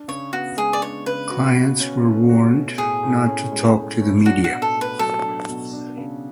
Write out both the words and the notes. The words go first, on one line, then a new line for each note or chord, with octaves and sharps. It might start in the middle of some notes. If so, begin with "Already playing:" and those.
Clients were warned not to talk to the media.
Already playing: D4
C#3 C#5
B3 F#4
G#3 G#4
D5
D4 C#5
C#3 B4
F#4
B2
C#4
A3
F#4
B2
A2 G#4
A2
C#4
G#3
A2
A2
D4 F#4
F#4
B2
A4
A3
B4
F#3 A4
D4
B2
D4
C#3